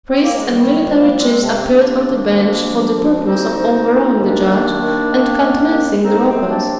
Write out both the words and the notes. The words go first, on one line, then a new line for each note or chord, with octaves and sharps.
Priests and military chiefs appeared on the bench for the purpose of overawing the judge and countenancing the robbers.
C4
A#3
G#3
D#3 G3
G#3
F2
G3 A#3
F2
G#3 C4
C3 D4
C4
A#3 D4
C3
D#3
D2
F3
D2
D2 C4 D#4
D2
D2
D#2 A#3 D4
D#3
D#2
D#3
D#3
D#2
C2 C4 D#4
G#3 C4
C3
A#3 D4